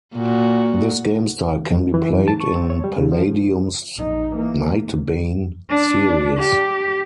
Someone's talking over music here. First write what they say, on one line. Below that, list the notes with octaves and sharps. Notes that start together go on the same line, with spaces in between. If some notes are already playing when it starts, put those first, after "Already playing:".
This game style can be played in Palladium's "Nightbane" series.
A#2 F#4
F2
E3
F#2
A5
C#6
C4
C#5
G3
C#3
F3
A#1 D#4
E3 A#3
D4
G4